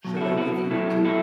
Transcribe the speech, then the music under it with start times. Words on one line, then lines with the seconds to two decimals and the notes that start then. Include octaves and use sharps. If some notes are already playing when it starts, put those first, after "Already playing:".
Shall I give you a tip?
0.05 B2 F#3
0.17 F#4
0.21 E4 A4
0.37 F#4 B4
0.71 B2 F#3 E4 A4
1.05 E4 A4